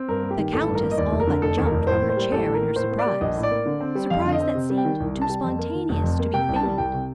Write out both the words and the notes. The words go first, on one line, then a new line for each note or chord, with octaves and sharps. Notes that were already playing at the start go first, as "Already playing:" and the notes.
The Countess all but jumped from her chair in her surprise--surprise that seemed too spontaneous to be feigned.
Already playing: C4
G2 A#4
A#3
G4
D#3
A1 A4
G2
A#4
A#3
D#5
D#2 D5
F1
A#4
D3
F1 A4
D#2
A#4
F1
A2 C5
A#3
C5
G3
A1 A4
A2
A#4
A#3
A2 C5
A#3
D5
G3
A#1 D#5
A2
D5
A#3
D3
C4
G3
F2 F5
D3
D#5
C4
C3
G3
G5
D#3
C2
C3
A5
G3
F2
A#3
D#3
F1
F2
A#3
C3 G5
C2
A5
G3
C2 G5
C3